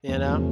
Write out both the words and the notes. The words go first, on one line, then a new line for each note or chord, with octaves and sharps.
You know?
E2
C3 F3 A3 C#4